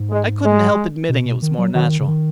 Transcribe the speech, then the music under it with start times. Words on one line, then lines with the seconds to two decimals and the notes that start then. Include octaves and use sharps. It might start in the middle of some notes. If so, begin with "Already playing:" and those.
I couldn't help admitting it was more natural.
Already playing: G#2
0.11 G#3
0.44 G#3
1.09 B2
1.25 B2
1.42 D#3
1.58 F#3
1.74 D#3 F#3
2.00 C#3
2.07 D#3